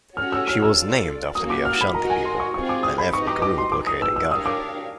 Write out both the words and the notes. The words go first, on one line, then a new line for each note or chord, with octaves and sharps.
She was named after the Ashanti people, an ethnic group located in Ghana.
C#4 F#4 A4 C#5 F6
E6
F6
E6
F4 A4 D5
A#3 C#4 F#4 D#6
D6
F6
B5
F#4 A#4 D#5 A#5
G#5
C6
C#6
C4 F4 G#4 C#6
D6
D#6
B5
D#4 G4 B4 D#5 C#6
D6
D6
C6
D#4 G#4 B4 D6
D#6
E6
E6
D4 G4 A#4 C#5 F5 D#6
D6